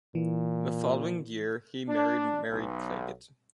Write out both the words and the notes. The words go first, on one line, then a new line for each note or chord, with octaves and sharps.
The following year, he married Mary Clagett.
A#2 E3
D4
B1